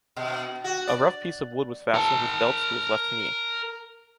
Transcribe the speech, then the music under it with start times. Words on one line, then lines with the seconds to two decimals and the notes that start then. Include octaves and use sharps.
A rough piece of wood was fastened with belts to his left knee.
0.16 B2
0.64 F#4
0.87 D5
1.95 A#4 A5